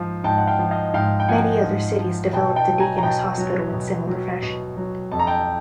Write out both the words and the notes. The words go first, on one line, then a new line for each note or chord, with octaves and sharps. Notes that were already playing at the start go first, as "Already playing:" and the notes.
Many other cities developed a deaconess hospital in similar fashion.
Already playing: G#2 F3 F5
G#2 G5 A5
F#5
F5 G5
F3
D#5 F5
G#2 F5 G5
G5
F3 F#5 G#5
G#2
F3
B2 G5 A5
G5 A5
F#3
G#5 A#5
A#5
B2 G5 A5
F#3
B2
F#3
B2
F#3
F2 A5
A#5
G5 A5